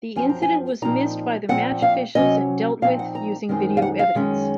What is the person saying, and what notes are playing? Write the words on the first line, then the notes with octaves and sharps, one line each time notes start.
The incident was missed by the match officials and dealt with using video evidence.
F#2 F3 C4 G#5
A#5
G#5
A#2 F3 C4 D#4 A#5
A#2 F3 C4 F#5
F5
C3 F#3 A#3 C#4 D#5
A#2 F3 C4 D#4 F5
F#5
A#5
F#2 D#3 G#3 C4 D#4
F5
F#5
F5
F#2 D#3 G#3 C#4